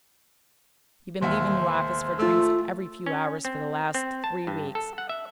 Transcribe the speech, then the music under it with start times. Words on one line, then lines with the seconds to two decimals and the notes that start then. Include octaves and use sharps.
You been leavin' your office for drinks every few hours for the last three weeks.
1.21 E1 D#2 C5 E5
2.19 A3 F4 E6
3.06 C#4
3.45 C4
3.94 C4
4.24 A5
4.47 G2
4.75 A4
4.98 F#5
5.09 E5